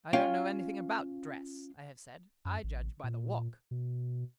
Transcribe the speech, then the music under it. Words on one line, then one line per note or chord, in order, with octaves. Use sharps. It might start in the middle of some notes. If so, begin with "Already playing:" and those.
"I don't know anything about dress," I have said; "I judge by the walk."
C#4 F4 F5 G5
F#2
A1
A#2
B2